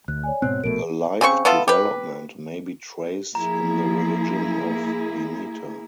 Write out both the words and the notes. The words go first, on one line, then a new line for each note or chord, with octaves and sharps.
A like development may be traced in the religion of Demeter.
D2 F#6
C#5 D5 G#5
G#2 B2 C4 C#5 F#6
A#1 B2 A3 A#4 D7
C#3 C4 C#4 C#6
B3 E4 F4 A4
G4 B4
F3 A#3 E4 G#4 A#5